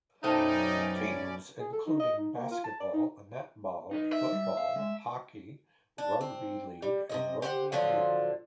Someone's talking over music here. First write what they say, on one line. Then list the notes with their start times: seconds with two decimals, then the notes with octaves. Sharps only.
Teams include: Basketball, Netball, Football, Hockey, Rugby League and Rugby Union.
0.24 F#2 B2 A3 C#4 D#4 C5 D5 G5
1.60 G#4
1.73 A4
1.86 D#4
2.00 D#5
2.18 D#4
2.36 A#3
2.51 F4
2.64 A5
2.80 D5
2.93 D#4
3.91 D#4 B4 D#5
4.13 E5
4.32 G3
4.57 F5
4.76 G#3
5.98 D4
6.21 C4
6.82 G3
7.10 C3 G#3 D#5
7.42 G4 C5 D5 F#5
7.72 D3 F3 F#3 F4